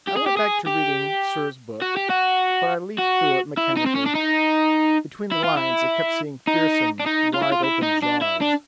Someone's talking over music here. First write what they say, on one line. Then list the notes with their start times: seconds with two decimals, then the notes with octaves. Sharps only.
I went back to reading Sirr's book, but I leafed through it mechanically. Between the lines I kept seeing fearsome, wide-open jaws.
0.08 G4
0.17 G#4
0.26 G4
0.37 G#4
0.66 G4
1.82 F#4
1.97 G4
2.10 F#4
2.99 F#4
3.57 E4
3.77 D#4
3.86 C4
3.95 C#4
4.06 D4
4.15 D#4
5.32 E4
5.44 F4
5.57 E4
6.47 D#4
7.00 D4
7.06 D#4
7.34 F4
7.43 E4
7.52 F4
7.64 E4
7.83 D#4
8.03 D4
8.22 E4
8.42 D4